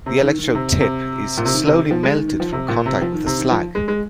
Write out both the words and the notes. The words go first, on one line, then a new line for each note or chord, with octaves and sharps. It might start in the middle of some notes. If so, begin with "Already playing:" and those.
The electrode tip is slowly melted from contact with the slag.
C3
D#3
D#3
C3
C3
A#2
C3
D#3
C3
D#3
F3
G#3
D#3
D#3
F3
C3
A#2
C3
F3
D#3
C3
D#3
F3
G#3
G#3